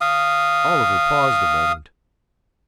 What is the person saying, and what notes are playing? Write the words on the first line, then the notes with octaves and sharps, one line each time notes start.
Oliver paused a moment.
F5 D#6